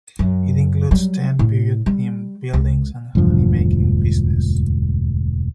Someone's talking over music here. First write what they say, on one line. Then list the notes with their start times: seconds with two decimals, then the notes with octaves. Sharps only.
It includes ten period themed buildings and honey making business.
0.19 F#2
0.91 F#3 G3
1.39 A2 C#3
1.86 G3
2.53 C#2
3.15 E1 D2 G2 F3